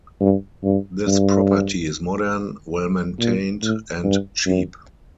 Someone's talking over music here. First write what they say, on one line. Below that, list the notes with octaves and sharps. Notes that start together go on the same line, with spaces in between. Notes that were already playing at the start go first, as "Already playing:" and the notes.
This property is modern, well maintained and cheap.
G2
G2
G2
A#2
A2
G2
F#2